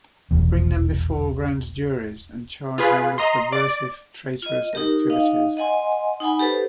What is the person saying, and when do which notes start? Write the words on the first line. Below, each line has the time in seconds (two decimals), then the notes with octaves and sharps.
Bring them before grand juries and charge them with subversive, traitorous activities.
0.31 F1 B1 E2
2.78 F4 G#4 B4
3.18 D#5 A#5 C6
3.52 D5 D6
4.42 F4 D#5
4.73 D#4 G4 A#4
5.10 D#4 D#5 F5
5.57 D#5 F#5 G#5 C6
6.20 D#4 F#5 G#5 B5
6.39 G4 A4 B4 C5